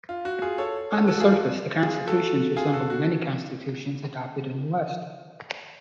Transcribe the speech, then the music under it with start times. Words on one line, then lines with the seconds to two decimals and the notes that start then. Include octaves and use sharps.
On the surface, the constitutions resembled many constitutions adopted in the West.
0.09 F4
0.25 F#4
0.42 F4 G#4
0.58 A4 C#5
0.91 A4 C#5
1.08 F#4 A4
1.20 F4 G#4
1.33 F#4
1.82 F4 G#4
2.07 F#4 A4
2.56 F4 G#4
2.73 F#4 A4
2.90 F#4